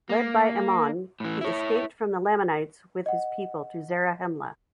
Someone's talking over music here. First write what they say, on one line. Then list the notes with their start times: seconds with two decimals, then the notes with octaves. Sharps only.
Led by Ammon, he escaped from the Lamanites with his people to Zarahemla.
0.09 A#3
1.20 A2 E3
1.41 E4 C#5
3.06 D#5 F#5